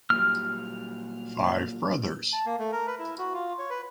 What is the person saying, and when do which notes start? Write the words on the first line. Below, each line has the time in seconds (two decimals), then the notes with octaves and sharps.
Five brothers.
0.10 A#2 F#3 G3 F6
2.33 A5
2.46 A#3
2.59 A3
2.72 A#4
2.87 B4
2.99 E4
3.18 F#4
3.34 F4
3.59 C#5
3.70 B4